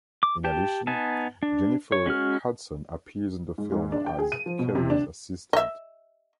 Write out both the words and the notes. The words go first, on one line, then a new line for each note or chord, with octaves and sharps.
In addition, Jennifer Hudson appears in the film as Carrie's assistant.
D6
G4 G5 A5
B3 D#4 G#5 A5
D4
C#5
G#3 C#4 F#4 F6
G#2
G#2
D4
G5
G#4
D#7
F3
B2
C3
D4
D#5 E5